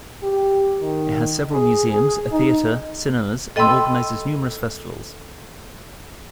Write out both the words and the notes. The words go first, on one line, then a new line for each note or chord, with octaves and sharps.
It has several museums, a theater, cinemas, and organizes numerous festivals.
G4
D#3
G#4
G#4
D#4
A4 D#5 G5 B5 C6 E6